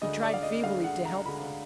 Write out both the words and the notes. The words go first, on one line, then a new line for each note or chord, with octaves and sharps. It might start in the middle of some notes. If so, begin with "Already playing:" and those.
He tried feebly to help them.
D2 D3 G#3 D#5
D5
F5
D#5
D2 D3 G#3 F5
F#5
A#5
D2 D3 G#3 B5